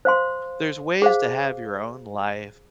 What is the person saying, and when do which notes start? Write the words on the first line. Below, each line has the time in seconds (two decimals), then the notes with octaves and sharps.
there's ways to have your own life
0.05 C5 F5 C6
1.02 G#4 C5 F5